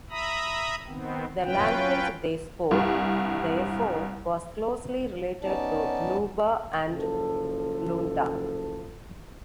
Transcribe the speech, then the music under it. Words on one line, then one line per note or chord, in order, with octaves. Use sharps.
The language they spoke, therefore, was closely related to Luba and Lunda.
E5 A#5 B5 D#6
D#3 B3 C4
F#3 C#4 F4 B4 G5
C2 G2
B3 C#4 D#4 D5 A5
F#1 C#3 F3 A4